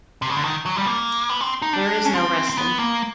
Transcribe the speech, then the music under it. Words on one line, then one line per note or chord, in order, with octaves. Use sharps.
There is no resting.
C3
C#3
D3
D#3
F#3
G3
A#3
B3
C4
D#4
D4
C#4
C4
C4
B3
A#3